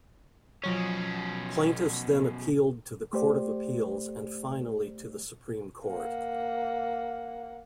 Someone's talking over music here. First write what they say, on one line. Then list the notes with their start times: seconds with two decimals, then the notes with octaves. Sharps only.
Plaintiffs then appealed to the Court of Appeals and finally to the Supreme Court.
0.64 B2 F3 F#3 C#4 C#5
3.13 A3 G4 C5 D5
5.87 A#3 F#5